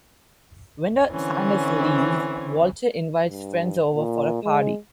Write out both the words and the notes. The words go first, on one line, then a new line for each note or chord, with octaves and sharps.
When the scientist leaves, Walter invites friends over for a party.
D3 E3 C4 C#4
G2
A#2
G#3